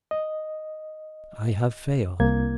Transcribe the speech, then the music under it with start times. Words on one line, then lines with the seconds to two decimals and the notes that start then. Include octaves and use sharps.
I have failed.
0.11 D#5
2.20 C2 A#3 G#6